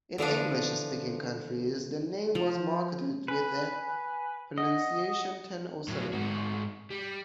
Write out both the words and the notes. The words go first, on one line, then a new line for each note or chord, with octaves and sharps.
In English speaking countries, the name was marketed with the pronunciation "ten oh seven".
D3 E3 F3 D4
F3
B4 G#5
D#5 F#5
A2 F#3
G#2 F#4
G3